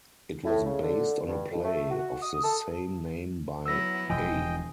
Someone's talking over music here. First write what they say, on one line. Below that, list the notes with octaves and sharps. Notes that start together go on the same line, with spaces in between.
It was based on a play of the same name by A.
A2
C#3
D3
G2
F2
A3
F#4
D#6
A4
F#3 B3 E4 E6 A#6
E1 E3 F3 D#5 G5 G#5